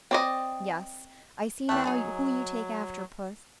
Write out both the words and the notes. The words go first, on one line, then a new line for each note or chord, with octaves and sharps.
'Yes, I see now who you take after, puss.
C4 D5 D#5
E2 A3 G4 A5 F#6
F#3 D#4 G#4